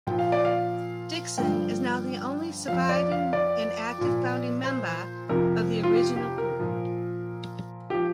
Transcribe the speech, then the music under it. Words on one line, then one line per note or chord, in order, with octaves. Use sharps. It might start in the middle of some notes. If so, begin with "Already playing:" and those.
Dixon is now the only surviving, and active, founding member of the original group.
A#2 F3 G5
F5
D5
F5
G2 D3 F3 G5
F2 F3 F5
D5
F5
D5
A#2 F3
C5
F2 C3 F3 A#4
F4
G4
G4
A#4
A#2 F3
F3 G4